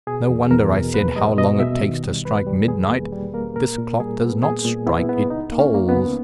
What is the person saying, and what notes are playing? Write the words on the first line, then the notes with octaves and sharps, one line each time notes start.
No wonder I said, 'How long it takes to strike midnight!' This clock does not strike; it tolls.
B2 G#4
E2
E2 A#4
B2
A#3 B4
G3 D#5
B2 D#5
B2 E5
D#3
G3
E2 B4
G3
E2 G#4
A#3
G3
A#3 A#4
A#2 A#4
A#2
G3 G#4
B3
A#2 G#4
A#2
B3 E4
B3
C#2 D#4
A#3
C#4
A#3
B3
C#2